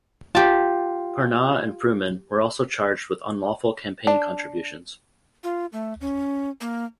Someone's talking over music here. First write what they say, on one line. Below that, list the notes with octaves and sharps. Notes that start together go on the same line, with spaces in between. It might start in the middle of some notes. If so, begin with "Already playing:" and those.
Parnas and Fruman were also charged with unlawful campaign contributions.
F4 G4 A5
D4
F4
A3
C#4
A#3